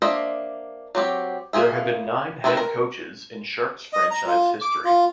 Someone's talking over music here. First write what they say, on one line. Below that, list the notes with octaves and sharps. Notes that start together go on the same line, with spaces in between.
There have been nine head coaches in Sharks franchise history.
A#3 D4 C5 D#5 E5
F#3 C4 G4
A#3 F4 G#4 E5
D#3 A3 C4 A#4 B4
A#4
D#5
A#5
F4
D6
F4